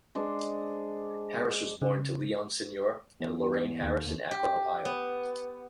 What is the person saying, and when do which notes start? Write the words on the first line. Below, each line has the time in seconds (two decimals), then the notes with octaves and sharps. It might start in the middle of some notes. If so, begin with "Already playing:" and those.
Harris was born to Leon Senior and Lorrene Harris in Akron, Ohio.
0.15 G#3 D4 C5
1.82 C#3
3.20 E2
3.81 D#2
4.31 G4
4.85 B3